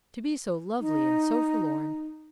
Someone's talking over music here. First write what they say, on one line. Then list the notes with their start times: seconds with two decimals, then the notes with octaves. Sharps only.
To be so lovely and so forlorn!
0.80 D#4